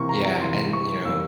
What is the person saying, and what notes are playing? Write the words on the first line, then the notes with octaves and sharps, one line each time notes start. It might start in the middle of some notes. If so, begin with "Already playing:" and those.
Yeah, and, you know,
Already playing: C3 E3 A#3 C6 C#6
A#5
A#5
C3 E3 A#3 C6
C#6
E3 G3 A#3 E6